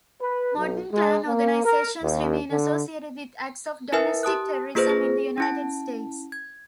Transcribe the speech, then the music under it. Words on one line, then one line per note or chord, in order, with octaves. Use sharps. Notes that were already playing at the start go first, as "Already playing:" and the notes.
Modern Klan organizations remain associated with acts of domestic terrorism in the United States.
B4
B1
G#3
A#3
A#4
D#2
D3
E4 A#4 B4 E5 G#5
G4 A5 D#6 F#6
A#3 F4 G#4 B4 C5 A#6
G#4
C#4 E4 A5
G#6